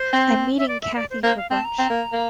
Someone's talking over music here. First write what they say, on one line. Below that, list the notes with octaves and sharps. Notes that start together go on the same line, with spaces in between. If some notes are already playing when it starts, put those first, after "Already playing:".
I'm meeting Kathy for brunch.
Already playing: C5
C4
E5
D5
E5
D5
C5
A#3 C5
F5
C4 A5
A#5
C4
A#3
A#3